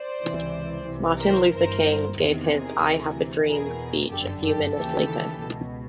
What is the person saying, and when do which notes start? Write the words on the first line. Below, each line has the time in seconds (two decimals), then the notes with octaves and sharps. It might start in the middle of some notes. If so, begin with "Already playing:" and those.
Martin Luther King gave his "I Have a Dream" speech a few minutes later.
Already playing: C5 D5
0.24 C#2 C3 E3
0.88 C2 C3 E3
1.20 A#4 C5
1.52 G1 G2 E3 A#4 C5
2.17 E2 C3 D#3
2.49 G#4 A#4
2.81 D2 C3 E3
3.46 E2 B2 G#4 A#4
4.10 G1 F#2 D3 G4 A4
4.43 G4 A4
4.75 D#2 C#3 E3 G4 A4
5.39 C#2 B2